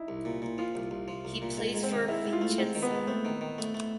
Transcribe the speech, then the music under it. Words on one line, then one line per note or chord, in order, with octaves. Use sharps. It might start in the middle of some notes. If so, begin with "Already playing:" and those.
He plays for Vicenza.
Already playing: D#4 E4
C2
A#2
A#2
F3 F4
C2
C2
F3
C2
A#2
G#2
G#2
C4
D#3
G#2 E4
G#2
F4
A3
G#2 C4
D#3
B3
G#2
A3 C4
D#3
D#3
A3
A3